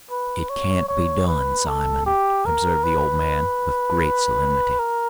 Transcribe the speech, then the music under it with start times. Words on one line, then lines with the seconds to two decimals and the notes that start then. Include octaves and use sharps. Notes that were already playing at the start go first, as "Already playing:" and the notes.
"It can't be done, Simon," observed the old man, with great solemnity.
0.11 B4
0.50 C#5
0.88 C#5
1.28 B4
1.67 A4
2.06 G4
2.46 A#4
2.84 B4
4.79 A#4